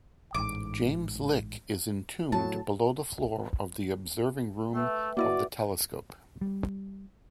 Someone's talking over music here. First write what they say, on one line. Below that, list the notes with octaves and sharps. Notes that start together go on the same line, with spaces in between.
James Lick is entombed below the floor of the observing room of the telescope.
A1 G#2 D6
A2 F#3 A5
A3 B4 E5 G5
A#3 E4 F#4 D5 D#5
G3